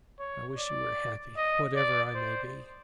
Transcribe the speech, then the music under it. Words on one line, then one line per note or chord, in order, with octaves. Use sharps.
"I wish you were happy, whatever I may be!"
C#5
D5
D#5
D5
C5